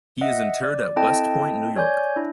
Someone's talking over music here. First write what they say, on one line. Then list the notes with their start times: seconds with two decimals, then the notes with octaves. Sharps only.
He is interred at West Point, New York.
0.21 D#5 E5 F#5
0.63 D5
0.96 C4 E4 A4 D#5 G5 A5
1.76 C#5 D5 G#5 G6
2.16 D4 E4